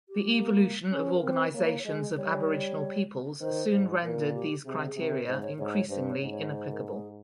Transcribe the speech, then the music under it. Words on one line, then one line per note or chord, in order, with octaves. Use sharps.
The evolution of organizations of aboriginal peoples soon rendered these criteria increasingly inapplicable.
G4
A#3
C#4 G#4
A#4
C4
C5
A#3 C#5
C#5
G#3 D#5
G3 C#5
D#3 C5
G#2
A#2 A#4
G4
C3 G#4
G#4
C3
A#4
G#2 C5
C#5
G#2 C#5
C#5
G2 C5
C#5
G#2
C#5
C5
A#4
A#4
G#4